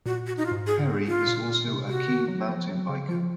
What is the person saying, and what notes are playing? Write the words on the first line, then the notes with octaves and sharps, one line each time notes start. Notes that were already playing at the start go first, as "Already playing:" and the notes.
Perry is also a keen mountain biker.
A#2 F#4
F#4
D#4
F4
G#2
G#4
F4
A#2
A#2
C3
C3 F#4
D#3
F#3
F3
F#3
C#3
F3 F4